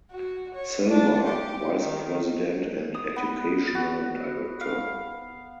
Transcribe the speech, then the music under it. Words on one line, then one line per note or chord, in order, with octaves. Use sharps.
Silver, vice president and educational director.
F#4
C#5
D4
G4
D#3
D#6
B3
F#4
F5